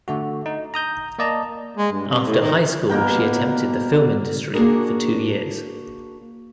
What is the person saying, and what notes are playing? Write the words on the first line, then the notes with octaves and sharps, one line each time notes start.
After high school she attempted the film industry for two years.
D3 A3 F#4
D#4
A#5 D#6 G6
A#3 D5 D#5 A5 A#5
G#3
G2
C3
A2
D#3
B2 A#3 A#4 G5
A#3 D4 F#4 G#4 A#4